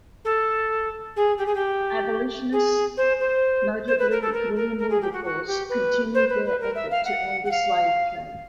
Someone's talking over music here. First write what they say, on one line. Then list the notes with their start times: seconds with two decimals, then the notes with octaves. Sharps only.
Abolitionists, notably William Wilberforce, continued their effort to end the slave trade.
0.24 A4
1.16 G#4
1.37 G4
1.46 G#4
1.54 G4
2.52 G#4
2.96 C5
3.19 C5
3.87 C5
3.98 B4
4.10 A#4
4.21 A4
4.32 A#4
4.55 A#4
4.78 A#4
4.89 G#4
5.01 G4
5.12 F#4
5.24 F#4
5.46 G4
5.68 B4
6.14 C5
6.28 B4
6.44 B4
6.60 A#4
6.75 E5
6.90 F5
7.04 F#5
7.44 F#5
7.50 F5